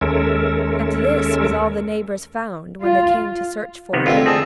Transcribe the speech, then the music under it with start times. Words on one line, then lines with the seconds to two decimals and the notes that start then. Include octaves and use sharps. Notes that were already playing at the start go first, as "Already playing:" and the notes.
And this was all the neighbors found when they came to search for him.
0.01 D#2 G#3 C#4 A4 A#4 E5
2.83 F4
3.93 C3 D#3 B3
4.06 F2 D3 G#3 A3 F4
4.26 C4 G#4 A4